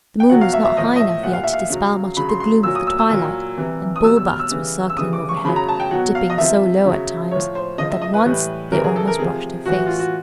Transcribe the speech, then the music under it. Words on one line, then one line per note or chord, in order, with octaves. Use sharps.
The moon was not high enough yet to dispel much of the gloom of the twilight, and bullbats were circling overhead, dipping so low at times that once they almost brushed her face.
G5
B2 F#3 F#5
F5
E5
E5
A2 F3 D#5
D#5
E5
A#2 G3 F#5
F5
E5
F5
C#3 F#3
C#3 F#3 B5
C6
C6
A#2 F#3 E6
D#6
E6
E6
A#2 F#3
C3 E3 G3
D#6
B2 G3 E6
E6
F6
E6
C#3 E3 G3
E6
C#3 E3 G3 D#6
D6
C#6
C#3 F#3 B5
A#5
A5
G5
B2 F#3 F#5
F5
D#5
C3 F3 E5
C#3 F#3
A2 F3 C#5
C5
C#3 F3 D#5
E5
D#5
B4
A2 E3 G3
C#3 E3 G3 A#4
G#4
A4
A#4
C3 F3 G#4
A2 E3 G3 F#4
F4
F#4